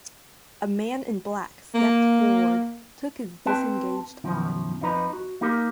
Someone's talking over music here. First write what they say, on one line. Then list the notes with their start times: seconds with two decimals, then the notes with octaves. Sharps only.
A man in black stepped forward, took his disengaged arm.
1.74 A#3
3.46 C4 B4 G5 A5
4.24 F#2 B2 D#3 F3
4.81 F2 F3 D#4 B4 A#5
5.13 F#4
5.41 A#3 D#4 G4 A#4